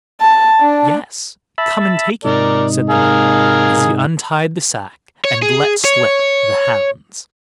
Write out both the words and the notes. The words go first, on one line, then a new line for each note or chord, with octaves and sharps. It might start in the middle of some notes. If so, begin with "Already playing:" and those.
'Yes, come and take it', said the man, as he untied the sack and let slip the hounds.
A5
D4
E5 A5 B5
G#2 C3 D#4 A#4 D5
G#4 A#4 F5
C#5
G#4
C#5